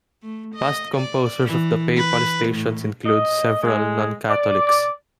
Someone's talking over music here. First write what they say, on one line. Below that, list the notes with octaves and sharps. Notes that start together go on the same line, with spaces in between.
Past composers of the Papal Stations include several non-Catholics.
A3
D#5
D5
E3
B4
A2
D#5
G#3
D5